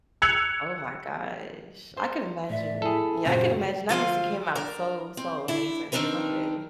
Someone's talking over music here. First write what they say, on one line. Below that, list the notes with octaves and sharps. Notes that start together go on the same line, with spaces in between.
Oh my gosh. I can imagine. Yeah, I can imagine. That must have came out so, so amazing, so good.
E6 F#6 G#6 C#7 F7 F#7
C5
A2 D5 E5
E4 G#4 A4
F#2 A#2 C#3 F#4 C5
D2 F3 F4 F5
D4 A#4
C4
D4 E4
D#3 C4 D4 D#4 A#4 B4